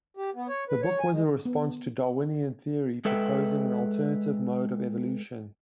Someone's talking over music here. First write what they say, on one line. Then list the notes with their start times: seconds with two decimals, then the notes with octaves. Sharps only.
The book was a response to Darwinian theory, proposing an alternative mode of evolution.
0.17 G4
0.35 B3
0.49 C#5
0.69 B4
0.82 C#5
0.99 G#5
1.12 G#3
1.45 B3
3.05 G#3 A4 B4 E5 G5